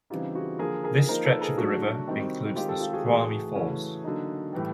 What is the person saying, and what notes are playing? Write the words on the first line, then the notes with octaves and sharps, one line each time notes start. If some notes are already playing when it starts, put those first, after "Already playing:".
This stretch of the river includes Snoqualmie Falls.
C#3 E3 G3 C4 D#4 F4 G4
F#4 G#4
D3 F3 A#3 G#4 A#4
G#4 A#4
F3 A#3 D#4 A#4 C5
A4 B4
G#4 A#4
F#3 A3 D4 F#4
F#4
C3 D#3 G3 C4 D#4
D#3 G#3 C4 F4 G4
G4 A4
F4 G4
F#4 G#4
A2 E3 A3 F#4 G#4
C#3 E3 A3 C#4 E4
D3 F#3 A#3 D#4
A2 E3 G3